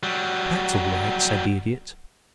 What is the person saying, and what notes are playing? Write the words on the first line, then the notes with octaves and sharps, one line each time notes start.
"That's all right," said the Idiot.
F#3 G3